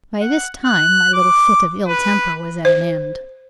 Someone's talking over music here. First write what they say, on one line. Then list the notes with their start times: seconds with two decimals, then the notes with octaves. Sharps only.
By this time my little fit of ill-temper was at an end.
0.21 F#5
0.65 F#6
1.14 D6
1.88 B4
2.65 C5